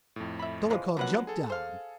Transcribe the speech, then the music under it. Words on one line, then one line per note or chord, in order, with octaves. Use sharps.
Dolokhov jumped down.
F2 A2
E5 B5
E3 F3 G#3
D3 F3 F#3 A#3 B4 F#5
G#4 A4
C5 F5